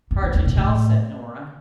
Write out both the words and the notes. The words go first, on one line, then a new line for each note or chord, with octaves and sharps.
"Hard to tell," said Nora.
F2
F2
E2
A#2
A2